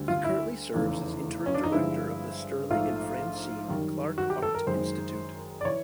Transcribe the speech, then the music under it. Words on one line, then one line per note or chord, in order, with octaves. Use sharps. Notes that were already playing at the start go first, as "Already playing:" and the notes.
He currently serves as Interim Director of the Sterling and Francine Clark Art Institute.
Already playing: D2 D3 G3
F4
E4
F1 E2 C#3 E3 A3
C#4
D4
D#4
G1 G2 D3 F3 G#3 E4
A#1 G#2 F3 A3 F4
F#2 D#3 G3
F#4
G4
A4
A#4
F#1 F#2 D#3 G#3 C5
D5
E3 C#5